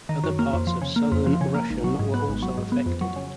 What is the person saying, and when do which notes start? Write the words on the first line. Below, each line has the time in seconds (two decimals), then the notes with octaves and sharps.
Other parts of Southern Russian were also affected.
0.09 D#3
0.24 F#2
0.39 A#3
0.53 F2
0.67 F3
0.82 C#3
0.96 A#3
1.12 F2
1.26 F3
1.41 C#3
1.55 A#3
1.70 G#1
1.84 F#3
1.99 G#2
2.14 B3
2.28 G#1
2.42 F#3
2.57 G#2
2.72 B3
2.86 F2
3.01 F#3
3.16 C#3